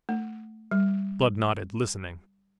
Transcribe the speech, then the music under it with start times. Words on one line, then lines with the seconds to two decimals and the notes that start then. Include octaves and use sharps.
Blood nodded, listening.
0.09 A3
0.71 G3